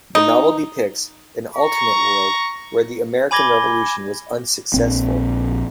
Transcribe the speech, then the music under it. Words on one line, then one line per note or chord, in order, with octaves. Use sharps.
The novel depicts an alternate world where the American Revolution was unsuccessful.
D#4
A#5 C#6
G#5 B5 D6 G#6 A#6 G7
A#1 C4